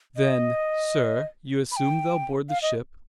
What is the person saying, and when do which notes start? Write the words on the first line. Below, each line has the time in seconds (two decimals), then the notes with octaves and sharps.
"Then, sir, you assume they'll board the ship?"
0.16 D#5
1.72 B5
1.77 G5
2.49 F5
2.62 D#5